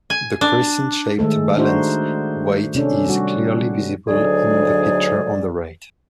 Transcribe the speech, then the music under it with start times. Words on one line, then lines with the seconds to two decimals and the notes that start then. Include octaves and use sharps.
The crescent-shaped balance weight is clearly visible in the picture on the right.
0.10 G#5
0.41 D4
1.19 D#3 G#3 A3 A4
1.57 D4 D#4 F#4 C5
2.75 C3 C#4 D4 A4
3.08 G3 F#4
4.08 D2 G#2 D3 F#3 G#4 D5